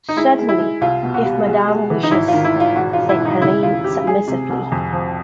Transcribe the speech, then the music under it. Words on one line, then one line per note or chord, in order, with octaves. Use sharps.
"Certainly, if madame wishes," said Helene submissively.
D#4
G#3 E4
G#3
E4
G#3
C2 F4
B2
F#4
G3
G#3
G#3
E3
D#4
G#1 E4
D#3 F4
E4
G#1 F4
E1 F#4
F4
E1
E4
E1
D#4
C#3 E4
D#2 F4
E1 G4
G#3 G#4
C3
C2
F2
F3